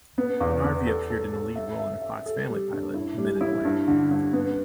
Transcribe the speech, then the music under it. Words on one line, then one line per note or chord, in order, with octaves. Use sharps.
Narvy appeared in a lead role in a Fox Family pilot, "Men in White".
B3
E2
B3
A4
A4
A4
E5
E5
E5
A4
G3
G2
E4
G3
E4
G2
D3
G2
B3